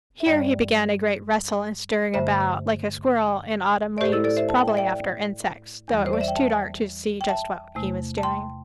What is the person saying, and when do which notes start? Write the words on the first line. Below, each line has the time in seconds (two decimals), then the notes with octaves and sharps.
Here he began a great rustle and stirring about, like a squirrel in autumn leaves, probably after insects, though it was too dark to see just what he was doing.
0.20 E5
0.26 G2 G3 D5 G5
2.14 G2 D3 A3 C5 E5
3.98 D5
4.01 A2 A3 G4 C5
4.12 E4 A4
4.24 A4 D5
4.37 C5 E5
4.49 A5
4.58 G5
4.68 E5
4.77 D5 G5
5.88 E2 E3 G3
6.06 C5
6.13 D5
6.21 E5
6.28 G5
6.35 E5 A5
7.21 G5
7.29 E5 A5
7.75 E2 C3 A3
8.18 A5
8.23 G5 C6